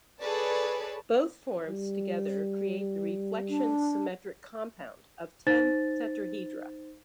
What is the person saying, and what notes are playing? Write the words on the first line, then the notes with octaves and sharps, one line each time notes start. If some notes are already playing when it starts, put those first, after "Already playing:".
Both forms together create the reflection symmetric compound of ten tetrahedra.
G#4 A4 B4 C#5 D5 A5
G3
D4
D#4 C5 A6